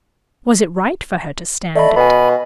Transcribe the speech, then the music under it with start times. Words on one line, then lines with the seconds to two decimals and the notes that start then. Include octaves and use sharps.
Was it right for her to stand it?
1.76 A3 D5 D#5 B5
1.96 B2 G#5 B5